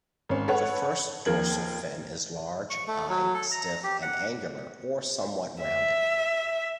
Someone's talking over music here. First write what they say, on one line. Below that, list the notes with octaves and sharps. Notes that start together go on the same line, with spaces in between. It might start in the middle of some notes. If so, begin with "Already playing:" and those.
The first dorsal fin is large, high, stiff, and angular or somewhat rounded.
G#1 C#4
A4 B4 C#5 F#5
D#2 F3 A#4 G#6 F#7
C#6
A3
F#3
A4
A#5
G4
F#5
E5